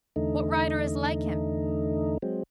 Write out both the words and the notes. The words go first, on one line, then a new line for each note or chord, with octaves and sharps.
What rider is like him?
E2 D3 A3 D#4
F#3 G#3 C4